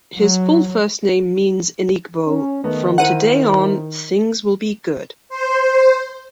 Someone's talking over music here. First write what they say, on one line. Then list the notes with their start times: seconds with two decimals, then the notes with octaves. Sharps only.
His full first name means in Igbo "from today on, things will be good".
0.17 F#3
2.27 C#4
2.64 D#3 A3 B3 D#4
2.98 E4 A#4 C5 F#5 D#7
5.29 C5